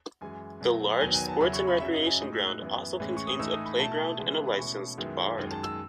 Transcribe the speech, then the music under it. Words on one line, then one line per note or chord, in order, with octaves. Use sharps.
The large Sports and Recreation ground also contains a playground and a licensed bar.
F#2 E3 G#3 G#5
B2 F#3 A3
E2 D#3 F#3 B3 G#5
G#5
A5
E2 C#3 F#3 C#4 E4 B5
C#6
B5
F#2 C#3 F#3 C#4 E4 E5
D#5
G#5
A2 G#3 D#4 D#6
E6
F#6
F#2 E3 B3 E4
A2 E3 G#3 C#4
C#6
D#6
A2 E3 A3 D#4 E6
D#6
B5
B2 A3 E4 A5
C#3 E3 G#3 B3 E4
B5
B2 A3 C#4 E4 C#6
F#2 D#3 G#3 B3 E4
F#2 D#3 G#3
A5
E6